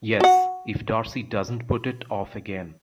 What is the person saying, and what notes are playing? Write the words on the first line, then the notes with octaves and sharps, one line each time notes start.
Yes — if Darcy does not put it off again.
F#4 F#5